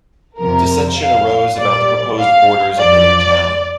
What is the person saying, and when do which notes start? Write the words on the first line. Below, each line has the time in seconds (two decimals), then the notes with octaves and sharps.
Dissension arose about the proposed borders of the new town.
0.38 F2 C3 F3 A#4
0.99 F5
1.59 A#2 G3 D5
2.19 F5
2.79 F2 F3 D5